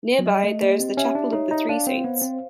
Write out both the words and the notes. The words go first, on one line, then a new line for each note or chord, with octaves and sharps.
Nearby, there is the Chapel of the Three Saints.
F#3
G3 D#5
A3
A#3 G4
C4
C#4 E5
D4
D#4 C#5
D#4
D4 F5
C4
B3 C5
C4